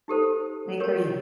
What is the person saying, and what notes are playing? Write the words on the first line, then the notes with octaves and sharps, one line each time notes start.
I agree.
D#4 G4 A4 C5
G4 A#4 C#5